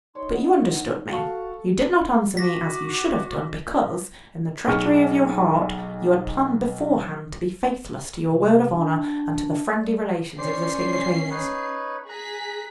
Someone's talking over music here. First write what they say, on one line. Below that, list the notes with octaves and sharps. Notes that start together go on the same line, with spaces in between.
But you understood me; you did not answer me as you should have done because, in the treachery of your heart, you had planned beforehand to be faithless to your word of honour and to the friendly relations existing between us.
D#4 C#5 C6
E4 F#5
D#3
F#4 A4 F5 A5 C#6
A4
F#4 D6 A#6 B6
B1 G#4 C#6 F6
C3
D4
G3
C#4 C5 D5 C7
D#4 B4 C#5
G#4 A#5 F#6 B6